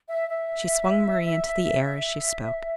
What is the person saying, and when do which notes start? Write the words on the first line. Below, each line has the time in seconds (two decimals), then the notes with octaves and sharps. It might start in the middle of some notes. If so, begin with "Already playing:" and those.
She swung Marie into the air as she spoke.
0.09 E5
0.29 E5